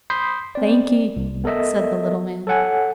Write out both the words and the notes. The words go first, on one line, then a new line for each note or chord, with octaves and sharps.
"Thankee," said the little man.
B5 C6 D#6 G6 B6 C7
C4 D5
C2
B3 A4 A#4 D#5 E5
A4 C#5 F#5 G#5